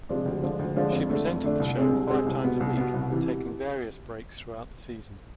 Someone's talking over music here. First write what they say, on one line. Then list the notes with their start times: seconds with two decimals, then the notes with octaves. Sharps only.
She presented the show five times a week taking various breaks throughout the season.
0.09 C3 F3 G#3 D4
0.26 D2
0.42 D3 F3 G#3 D4
0.59 D2
0.76 D3 F3 G#3 D4
0.92 F2
1.09 D3 A3 D4
1.27 F2
1.43 D3 A3 D4
1.60 C2
1.77 C3 G#3 C4 G#4
1.93 C2
2.10 C3 G#3 C4 G#4
2.26 C2
2.43 B2 B3
2.60 C2
2.77 B2 B3
2.94 C2
3.10 C3 E3